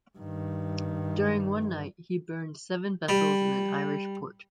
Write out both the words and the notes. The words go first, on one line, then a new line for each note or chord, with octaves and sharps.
During one night he burned seven vessels in an Irish port.
G2 D#3
G3